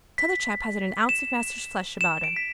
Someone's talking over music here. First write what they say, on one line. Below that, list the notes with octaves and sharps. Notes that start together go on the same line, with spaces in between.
T'other chap hasn't an ounce of measter's flesh about him.
B6
E7
E7
D7
B6